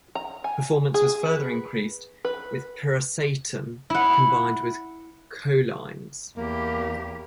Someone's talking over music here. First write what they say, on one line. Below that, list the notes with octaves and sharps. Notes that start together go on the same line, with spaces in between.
Performance was further increased with piracetam combined with cholines.
A#5
G#5
G#4
B4
B4
E4 F#5
E2 A#3 G4